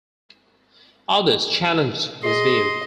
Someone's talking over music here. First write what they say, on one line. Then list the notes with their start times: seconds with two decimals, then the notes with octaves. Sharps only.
Others challenged this view.
2.24 G#4 D#5 C6